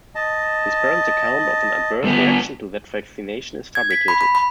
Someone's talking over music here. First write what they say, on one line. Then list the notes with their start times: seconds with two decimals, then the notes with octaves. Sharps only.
His parents' account of an adverse reaction to that vaccination is fabricated.
0.15 D#5 A5
2.04 G2 B3
3.75 G#6
3.91 B6
4.08 B5
4.21 B5
4.35 B5